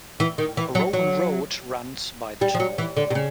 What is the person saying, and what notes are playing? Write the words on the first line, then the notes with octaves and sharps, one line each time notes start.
A Roman road runs by the town.
E3
D#3
E3
F#3
F#3
G3
F3
F#3
E3
D3
C3
C#3